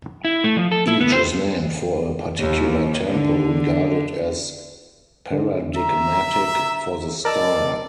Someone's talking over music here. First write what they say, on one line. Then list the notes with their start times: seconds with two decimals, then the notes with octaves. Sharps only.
Each is named for a particular temple regarded as paradigmatic for the style.
0.25 E4
0.44 A3
0.57 F3
0.72 A4
0.88 E4
1.01 B3
1.12 C5
2.41 D#2
3.08 D3
5.32 D3
5.76 E5 A#5
7.25 A#4 D5 D#5 A5 E6